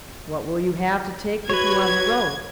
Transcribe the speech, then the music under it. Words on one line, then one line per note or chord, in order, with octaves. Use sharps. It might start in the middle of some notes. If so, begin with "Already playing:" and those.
"What will you have to take with you on the road?"
F#4 B4 C#5 G#6